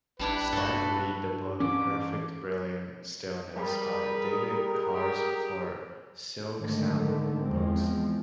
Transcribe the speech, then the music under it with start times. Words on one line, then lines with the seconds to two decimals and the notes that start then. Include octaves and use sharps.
Stamp read the book "Perfect Brilliant Stillness" by David Carse for SilkSoundBooks.
0.19 A1 G3 D4 E4 B4
0.52 G2 F#4 A4
1.60 E3 C#4 D6
3.56 G3 G#4 A#4 B4
4.93 G4
6.57 G#2 D3 D#3 A3
7.43 E2 F3 G#3 C4